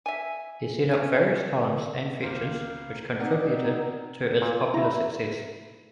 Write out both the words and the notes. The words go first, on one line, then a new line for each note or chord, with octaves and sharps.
He set up various columns and features, which contributed to its popular success.
E5 G#5
C#4
C#2 A#3 C5 F5
C4 D#4 A#4 D5 F#5
A#2
E4 A#5